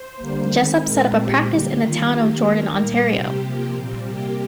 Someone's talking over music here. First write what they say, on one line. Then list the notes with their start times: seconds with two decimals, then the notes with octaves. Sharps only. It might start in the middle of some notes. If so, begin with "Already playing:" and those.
Jessop set up a practice in the town of Jordan, Ontario.
Already playing: C5
0.16 D3 G3 A#3
0.49 D#3 G#3 C4
0.81 A#2 G#3 C4 A#4
1.13 A#2 G#3 C4 G4
1.46 D3 G3 A#3 G4
1.78 D#3 G3 A#3 F4
2.11 D#3 A#3 G4
2.43 D#3 A#3 A#4
2.75 A#2 G3 A#3 A#4
3.08 C3 G3 C4 G4
3.40 C3 F3 A#3
3.73 A#2 G3 C4
4.05 C3 G3 A#3 G4